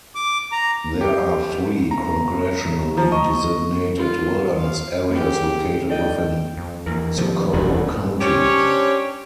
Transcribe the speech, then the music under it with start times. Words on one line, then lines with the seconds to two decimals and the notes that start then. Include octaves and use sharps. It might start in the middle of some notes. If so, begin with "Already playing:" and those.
There are three congressionally designated Wilderness areas located within Socorro County.
0.15 D6
0.52 A#5
1.01 G4
1.91 A#5
2.97 F3 A#5
3.12 D#5 C#6
3.97 F4
4.58 F5
5.10 A#3 D4 G4 G#4 A#4
5.90 D4 D5 D#5 G5
6.57 F2
6.86 E2 E3 A#3 A#4
7.18 C3 D#3 F3 G3 B3 D4
7.53 E1 D#2 A3 E4 F#5
8.21 C#4 D4 G4 C5 C#5